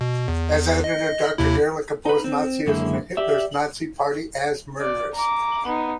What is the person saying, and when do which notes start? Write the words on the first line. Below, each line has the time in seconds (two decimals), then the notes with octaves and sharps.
As editor, Doctor Gerlich opposed Nazism and Hitler's Nazi Party as "murderous".
0.01 B2
0.28 E2
0.84 D#5
1.38 D#2 C3 E4
2.06 D#4 B4
2.24 C4
2.67 F#2 D3 G#3 A#3 E4
3.17 G4 D5 E5
4.81 D5
5.14 A#5 D6
5.66 B3 D#4